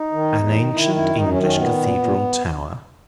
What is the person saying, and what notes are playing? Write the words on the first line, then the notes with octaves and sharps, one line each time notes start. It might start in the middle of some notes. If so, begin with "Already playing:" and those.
An ancient English Cathedral Tower?
Already playing: D#4
D#3
E2
D#3
D#3 E4
F#2 E4
F#2 D#4
C#4
D#3
C#4
A#2 B3
A#2
A#2